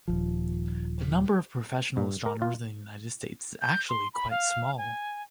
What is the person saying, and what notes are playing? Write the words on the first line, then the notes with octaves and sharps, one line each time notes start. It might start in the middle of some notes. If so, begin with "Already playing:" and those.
The number of professional astronomers in the United States is actually quite small.
D#1 C#2 F3
G2
A#4
F4
G6
C6
B5
F5
G#5